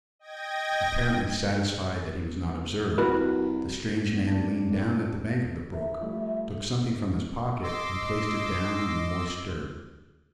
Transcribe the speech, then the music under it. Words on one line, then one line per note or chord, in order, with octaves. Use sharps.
Apparently satisfied that he was not observed, the strange man leaned down at the bank of the brook, took something from his pocket and placed it down on the moist dirt.
D#5 G5 G#6 A#6
C2 F#4 A#4 B4
B3
C3 A3 D4 A5
E5
F3 G3 A3
D#5 C6 D6 E6